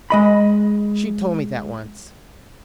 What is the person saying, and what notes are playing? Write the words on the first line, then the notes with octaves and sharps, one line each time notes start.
"She told me that once."
G#3 D#5 B5